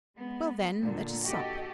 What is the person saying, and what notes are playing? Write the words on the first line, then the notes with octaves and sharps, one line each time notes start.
"Well, then, let us sup."
G#3 B3
A#2 D3
F#4 G4 A4 D#5